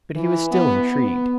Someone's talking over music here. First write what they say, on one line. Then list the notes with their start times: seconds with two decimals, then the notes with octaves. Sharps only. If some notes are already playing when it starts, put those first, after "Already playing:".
But he was still intrigued.
0.16 E3
0.51 B3
0.93 B3